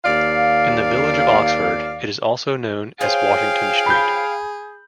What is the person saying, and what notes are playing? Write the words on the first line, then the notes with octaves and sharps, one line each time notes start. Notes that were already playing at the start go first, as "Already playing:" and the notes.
In the Village of Oxford, it is also known as Washington Street.
D#2 D5 F5
F4 G#4 C5 C#5 F5 G5
B5 G6